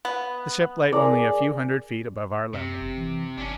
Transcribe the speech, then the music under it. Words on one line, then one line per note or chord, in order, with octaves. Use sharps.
The ship lay only a few hundred feet above our level.
B3
G#4 A#4 D5
F#2 C3
F#1
E3
G1 C#4 D4